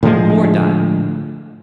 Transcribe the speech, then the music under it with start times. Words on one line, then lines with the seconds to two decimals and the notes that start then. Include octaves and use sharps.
Poor Dot!
0.03 A2 D3 F3 G#3